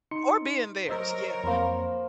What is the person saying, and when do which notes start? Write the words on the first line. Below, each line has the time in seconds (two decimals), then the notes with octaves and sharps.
or be in theirs, yeah,
0.11 D#4 C6 C#7
0.88 F#3 A#4 C5 C#5 D#5 E6
1.44 F2 A#3 C5 B5